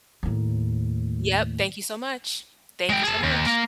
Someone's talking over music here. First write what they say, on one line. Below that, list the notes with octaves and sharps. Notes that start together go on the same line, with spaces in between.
Yep. Thank you so much. Thank you so much.
D#2 A2
G#3 G5
G#4 A5
D#2
A#3